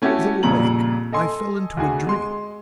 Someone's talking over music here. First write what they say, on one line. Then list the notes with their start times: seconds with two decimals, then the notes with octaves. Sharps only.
Though awake I fell into a dream.
0.02 A3 C#4 E4 F#4 G4 A4
0.43 F2 A#2 C#3 G3 A#5 F#7
1.12 A4 D#5 G#5 C6
1.77 D2 F#4 G#4 G#5
2.07 G#3 C6